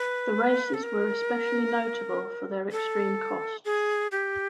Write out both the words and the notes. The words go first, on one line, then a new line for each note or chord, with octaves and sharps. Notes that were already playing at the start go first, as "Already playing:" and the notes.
The races were especially notable for their extreme cost.
Already playing: B4
A4
A#4
A4
G#4
G4